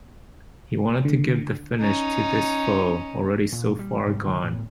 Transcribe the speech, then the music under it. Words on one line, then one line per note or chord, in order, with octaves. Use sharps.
He wanted to give the finish to this foe already so far gone.
D3
C#4 D#4
A#2
G3
G#2 C3 G3
D3 F3 G3
A2 B3